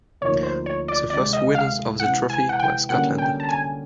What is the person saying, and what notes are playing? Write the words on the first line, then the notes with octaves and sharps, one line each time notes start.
The first winners of the trophy were Scotland.
D2 D3 F3 A#3 D#4 C#5
C5
C#5
D5
C3 D#3 G#3 D5
D#5
F5
C3 E3 G#3 F#5
G#5
F#5
G5
D3 G3 A#3 C#4 F#4 F#5
G5
A5
G#5